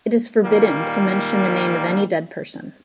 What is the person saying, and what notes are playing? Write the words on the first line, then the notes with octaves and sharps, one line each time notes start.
It is forbidden to mention the name of any dead person.
A#2 D#3 G3 A#3